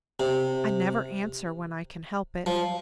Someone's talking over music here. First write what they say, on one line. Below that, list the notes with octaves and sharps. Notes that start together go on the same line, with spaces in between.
I never answer when I can help it.
C3
F3